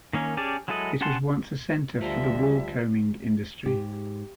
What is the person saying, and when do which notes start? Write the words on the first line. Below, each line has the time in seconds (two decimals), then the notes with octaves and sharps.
It was once a centre for the woolcombing industry.
0.13 D#3 A#3 C#4
0.37 C#4 G4 G#4 D5 A5
0.68 F#3 G#3 E4 A4 D#5
1.01 C#4 G4 F#5 A5 C6
2.01 D2 F3 G3 E5 A#5 C6
3.66 G#2 G4